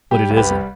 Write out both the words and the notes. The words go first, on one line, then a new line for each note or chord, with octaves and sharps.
But it isn't.
G3 G4
C2
G4 B4
G3